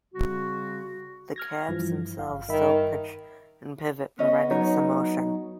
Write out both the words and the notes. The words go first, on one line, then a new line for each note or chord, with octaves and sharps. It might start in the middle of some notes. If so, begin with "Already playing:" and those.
The cabs themselves still pitch and pivot, providing some motion.
C#3 G3 C4 F#4
F6 G#6 A#6
G2 E3 F3
G1 F5
G2 D#3 E5 B5
B3 C#4 D#5
F#3 D#4 C#5